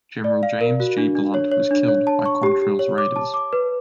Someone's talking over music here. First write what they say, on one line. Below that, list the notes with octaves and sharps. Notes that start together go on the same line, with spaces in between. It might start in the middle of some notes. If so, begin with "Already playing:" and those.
General James G. Blunt, was killed by Quantrill's Raiders.
D5
F5
A#4
F#4
D4
D4
C#5
C#5
D4
C#5
A5
C#6
G4
G4
C#5
D6
A5
D6
B4